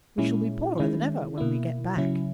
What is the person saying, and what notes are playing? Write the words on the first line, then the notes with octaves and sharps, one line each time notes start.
We shall be poorer than ever when we get back.
A#2 G#3 C#4 E4
D#3 G#3 C#4 E4
B2 A#3 E4
C#3 F#3 C#4 E4